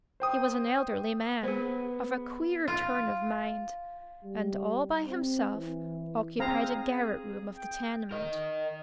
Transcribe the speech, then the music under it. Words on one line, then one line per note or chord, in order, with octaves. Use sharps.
He was an elderly man, of a queer turn of mind, and, all by himself, occupied a garret room of the tenement.
C5 G5 D#6
B3 G#4 C5
F4
G3
C4
E3
C4 G#4 F5 A#5
G5
A#4 D#5